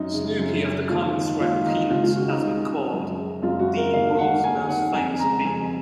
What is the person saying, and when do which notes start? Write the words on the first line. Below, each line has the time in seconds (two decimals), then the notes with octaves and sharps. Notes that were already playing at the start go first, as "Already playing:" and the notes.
Snoopy of the comic strip "Peanuts" has been called "the world's most famous beagle".
Already playing: F#2 D#4
0.13 C#3
0.39 F#2
0.65 C#3
0.89 D#2 F4
1.15 D#3
1.40 D#2 F4
1.66 D#3 D#4
1.90 C#2 F4
2.04 F4
2.15 C#3 F#4
2.29 D#4
2.41 C#2
2.67 C#3
2.92 F#2
3.17 C#3
3.42 F#2 F4
3.59 F#4
3.68 C#3
3.77 A#4
3.93 D#2 F5
4.18 D#3 F#5
4.44 D#2 G#5
4.69 D#3 F#5
4.94 F2 G#5
5.19 C#3 A#5
5.45 F2 G#5